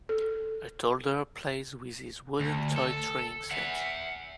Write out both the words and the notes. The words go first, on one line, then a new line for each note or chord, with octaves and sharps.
A toddler plays with his wooden toy train set.
A4
D2
A4
E5 F#5